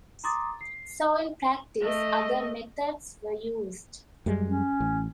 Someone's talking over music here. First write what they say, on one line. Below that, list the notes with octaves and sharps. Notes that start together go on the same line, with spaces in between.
So in practice, other methods were used.
A#5 C6 D6 D#6 A6
C7
A3 D#5
F#2 G3 G#3
C#4
A1